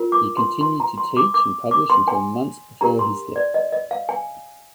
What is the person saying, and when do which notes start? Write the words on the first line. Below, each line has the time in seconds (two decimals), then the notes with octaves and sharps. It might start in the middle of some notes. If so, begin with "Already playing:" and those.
He continued to teach and publish until months before his death.
Already playing: F4 A#4
0.12 D6
0.37 C6
0.61 C6
0.80 A#5
0.98 C6
1.17 D6
1.34 D6
1.71 D6
1.90 C6
2.08 G#5
2.81 D4 G4 A#4 A#5
2.99 C6
3.36 D5
3.54 D#5
3.72 D#5
3.91 F5
4.09 G#5